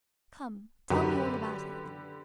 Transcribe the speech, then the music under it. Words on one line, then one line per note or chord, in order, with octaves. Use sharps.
"Come, tell me all about it."
F#2 D3 G4 B4